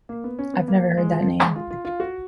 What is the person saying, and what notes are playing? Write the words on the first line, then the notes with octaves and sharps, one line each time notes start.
I've never heard that name.
A#3
B3
C#4
B3
A#3
G#3
F3
G#3
F4
F4
F4
F#4